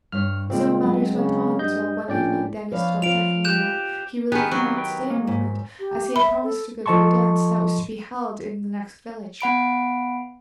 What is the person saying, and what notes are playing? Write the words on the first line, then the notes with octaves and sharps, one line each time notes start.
So matters went on till one evening Denis told Tephany that he really could not stay a moment, as he had promised to go to a dance that was to be held in the next village.
G2 C#5 F6
A#2 C#3 G#3 C4 D5
F#3
C#3
G2 D#5 G6
A#1 A2 C#4 D5 G5
F3 B4 C#5 D5 F5
F4 C5 F5 D7 F7
G4 F#6 G6 E7
D#3 B3 G4 G#4 G#5
F#3 B3 C4
B4 G5
A#3
G#2
G4
E5 B5
A4
F3 A4 D#5 A5 C6 C#6
B3 F#5 B5 D7